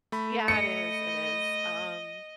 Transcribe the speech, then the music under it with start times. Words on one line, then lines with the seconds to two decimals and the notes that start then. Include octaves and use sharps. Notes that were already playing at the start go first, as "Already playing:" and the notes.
Yeah, it is, it is, um,
0.12 A3 B5
0.48 D#5 C#7